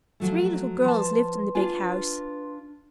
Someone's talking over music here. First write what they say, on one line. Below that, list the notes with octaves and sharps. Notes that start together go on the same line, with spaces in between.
Three little girls lived in the big house.
F3 F#3 A3
F3 B4 A5 C6
D4 F4 G#5